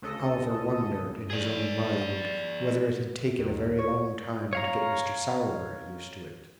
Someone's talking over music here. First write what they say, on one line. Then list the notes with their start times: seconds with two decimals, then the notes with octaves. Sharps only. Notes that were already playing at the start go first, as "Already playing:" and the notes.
Oliver wondered, in his own mind, whether it had taken a very long time to get Mr. Sowerberry used to it.
0.02 D2 C#3 A4 D#5
1.30 G#4 D5
3.39 D#2
3.78 C#5
4.53 C#5 F5 A#5